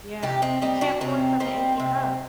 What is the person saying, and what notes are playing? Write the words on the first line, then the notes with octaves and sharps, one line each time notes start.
Yeah. You can't pour from an empty cup.
C3 D#4 G4
C4 D#4
G3 C4 D#4
D4 F#4
C3 C4 D#4
G3 C4 D#4
C3